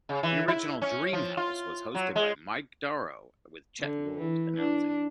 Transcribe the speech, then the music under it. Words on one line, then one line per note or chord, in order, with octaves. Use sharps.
The original "Dream House" was hosted by Mike Darow with Chet Gould announcing.
C#3
E3
E4
C#4
F3
F4
F#3
G#3
D3
E3
D4